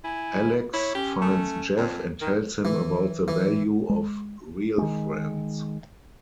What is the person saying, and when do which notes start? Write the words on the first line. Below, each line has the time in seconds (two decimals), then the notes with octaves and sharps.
Alex finds Jeff and tells him about the value of real friends.
0.04 E4 G#5
0.74 E4 C#5
0.95 C#4 G4
1.21 A3
1.77 F2
2.21 D#3 A#4
2.65 E3
3.28 E3
3.89 G#3
4.78 D#3 G#3